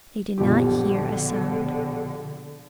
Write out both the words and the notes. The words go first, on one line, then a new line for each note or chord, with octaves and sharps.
They did not hear a sound.
A#1 B2 D3 G4